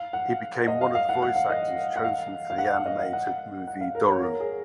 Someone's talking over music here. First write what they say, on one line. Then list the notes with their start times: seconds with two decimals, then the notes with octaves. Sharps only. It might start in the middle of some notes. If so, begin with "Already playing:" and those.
He became one of the voice actors chosen for the animated movie "Doru".
Already playing: F5
0.13 F#5
0.68 D#5
0.81 F5
0.95 F5
1.09 F#5
1.22 F#5
1.36 F5
1.50 D#5
1.96 F#5
2.04 F5
2.50 F5
2.58 F#5
2.72 F5
2.86 D#5
2.99 F5
3.13 F#5
3.67 F#5
3.81 F5
3.95 A#4
4.08 C#5
4.22 A#4
4.40 G#4